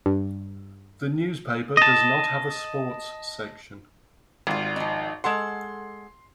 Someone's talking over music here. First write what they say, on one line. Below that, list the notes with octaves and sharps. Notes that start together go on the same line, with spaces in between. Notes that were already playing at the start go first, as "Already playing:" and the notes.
The newspaper does not have a sports section.
G2
D#5 A5
G#1 G3 F4
F3 D#4
G#3 A4 F#5 C6